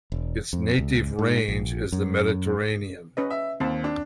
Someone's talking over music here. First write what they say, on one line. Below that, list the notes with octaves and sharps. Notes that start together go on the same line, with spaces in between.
Its native range is the Mediterranean.
E1
F2
C#2
G#2
A#1
F#2
C#4 B4 D#5
E5
D#2 C4 A5
D4